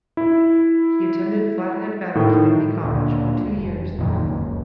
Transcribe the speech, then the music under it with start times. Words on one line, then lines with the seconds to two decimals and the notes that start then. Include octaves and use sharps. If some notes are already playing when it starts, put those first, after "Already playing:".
He attended Flathead Valley Community College for two years.
0.17 E4
2.15 A2 D#3 A3
2.84 D2 A#2 D3
3.57 F1
3.98 F2 A#2 D#3 F#3
4.25 F#1 C#2